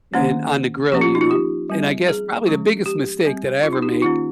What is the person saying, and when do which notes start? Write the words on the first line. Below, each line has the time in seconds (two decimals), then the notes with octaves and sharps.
in on the grill, you know, and I guess probably the biggest mistake that I ever make
0.14 D#3 A#3 C#4
0.92 F3 A#3 C#4 G4
1.01 F4
1.15 D#4
1.21 F4
1.31 G4
1.70 G3 C4
2.08 G#4
2.47 F3 G#3 C#4
2.86 G4
3.25 G3 C4
3.63 F4
3.73 D#4
3.82 G4
3.92 D#4
4.02 D#3 A#3 C#4 F4